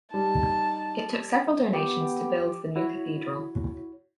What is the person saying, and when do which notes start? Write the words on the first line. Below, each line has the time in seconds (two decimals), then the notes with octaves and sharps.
It took several donations to build the new cathedral.
0.14 G3 D#4 A5
1.73 B3 G4
2.76 E4 F#4 C#5